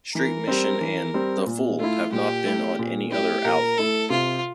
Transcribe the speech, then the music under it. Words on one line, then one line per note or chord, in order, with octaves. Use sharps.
"Street Mission" and "The Fool" have not been on any other album.
E3 A#4
G3 C4
E3
G3 C4
A#2
A3 E4 F4
A#2 G4
A3 E4
A#2
A3 E4 G4
A#2 A#4
A3 E4 A4
C3 F4